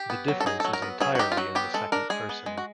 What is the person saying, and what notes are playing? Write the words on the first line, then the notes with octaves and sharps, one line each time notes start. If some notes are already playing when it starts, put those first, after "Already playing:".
The difference is entirely in the second person.
Already playing: G4
B3
F#3
A4
D#4 G#4
F#3 A4
A#4
B3
F#3 G#4
F#4
D#4 G4
F4
F#3 F#4
B3 G4
G#3 A4
D4 A#4
G#3 G#4
B3
G#3
F#4